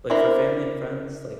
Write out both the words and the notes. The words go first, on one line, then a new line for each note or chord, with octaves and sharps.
like for family and friends, like,
C4 D4 E4 A#4 C5